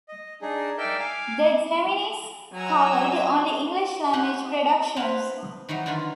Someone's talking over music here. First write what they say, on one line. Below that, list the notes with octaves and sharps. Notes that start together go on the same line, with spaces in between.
The Geminis covered only English-language productions.
D#5
D4 D#4 G#4
D#4 A#4 D5 E5 G5 G6
F5 G#5 D6
F#3 G#5 A#5 E6
D#4 G4 G#4 F#5 C6
C4 E4 B4 C5 F5 F#5
D#3 E3 F#3 D#4
D3 D#3 F4